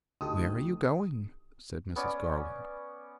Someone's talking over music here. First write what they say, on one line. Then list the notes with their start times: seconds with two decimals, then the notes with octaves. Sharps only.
'Where are you going?' said Mrs. Garland.
0.21 D2 D#4 G4 A4 D#6
1.96 B3 C#4 D5 D#6